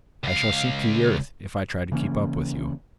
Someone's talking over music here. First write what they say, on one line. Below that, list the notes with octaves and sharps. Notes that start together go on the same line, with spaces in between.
I shall sink to the earth if I try to keep up with you.'
C#2 F5
C#3 E3 A#3 C#4